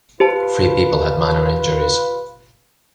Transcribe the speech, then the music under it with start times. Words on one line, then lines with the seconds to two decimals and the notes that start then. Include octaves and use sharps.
Three people had minor injuries.
0.20 F4 G4 B4 C5 A5